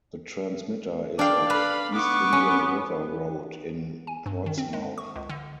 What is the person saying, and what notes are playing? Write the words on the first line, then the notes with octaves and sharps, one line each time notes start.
The transmitter is off East Indian River Road in Portsmouth.
D4 D5 F5 G5
B4 F5 B5
B3 C#6 D6
C#4
G#5
G2
D#3
C4
G#3
C#6
C#2
D3